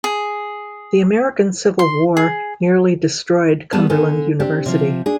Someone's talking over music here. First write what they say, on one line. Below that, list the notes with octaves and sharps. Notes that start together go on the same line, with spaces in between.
The American Civil War nearly destroyed Cumberland University.
G#4
C6
G#4
G3 B3 G#4 A5
D3 A4 G#5
C4 D4 G4
C3 F3
D4 G#4